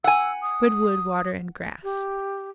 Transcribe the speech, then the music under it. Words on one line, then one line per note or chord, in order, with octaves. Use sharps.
Good wood, water, and grass.
F#5 G#5 E6
D#6
G4